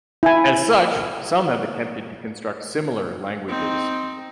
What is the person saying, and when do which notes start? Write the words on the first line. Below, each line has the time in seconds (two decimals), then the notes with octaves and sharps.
As such, some have attempted to construct similar languages.
0.23 E4 G#5
3.48 C4 D#4